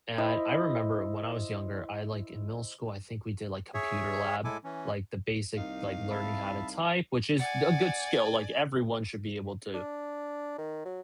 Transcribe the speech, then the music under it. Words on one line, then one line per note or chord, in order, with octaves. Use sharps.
and, I remember when I was younger, I like, in middle school, I think we did, like, computer lab, like, the basic, like, learning how to type, which is the a good skill, like, everyone should be able to
E4 C5 D#5
G#4 C#5 E5
A2 G#3 E4 A4 G#5 D6
E3 C#4
C2 D#3 A#3 D#4 F5
E5 A5 B5
D5 F#5 G#5
D4
D#3
F#3